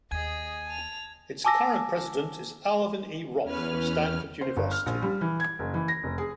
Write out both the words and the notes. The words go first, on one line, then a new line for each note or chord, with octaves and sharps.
Its current president is Alvin E. Roth of Stanford University.
D#2 G#4 D#5 G#5 G#6
A5 F7
G#5 A5 D6 E6 A#6
E2 C#4 B4 F6
C5
G1
F6
A#1
G3
E3
G#6
F#1
E3
A#6
F1
G#4